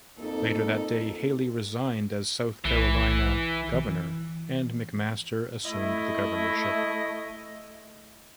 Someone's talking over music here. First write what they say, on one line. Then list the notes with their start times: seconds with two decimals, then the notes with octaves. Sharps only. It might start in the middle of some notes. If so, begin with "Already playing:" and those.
Later that day, Haley resigned as South Carolina governor and McMaster assumed the governorship.
0.18 F2 A#3 D#4 A4
2.65 B1 E3
3.74 E3
5.65 A3 E4 D#5